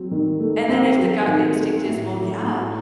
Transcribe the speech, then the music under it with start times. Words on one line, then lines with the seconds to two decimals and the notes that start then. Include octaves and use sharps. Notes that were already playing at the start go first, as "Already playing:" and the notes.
And then if the gut instinct is, "Well, yeah."
Already playing: F#3 C4
0.11 D#3
0.40 A3
0.69 C4
0.98 F#3
1.27 D#3
1.56 A3
1.85 A2
2.14 F#3
2.43 A2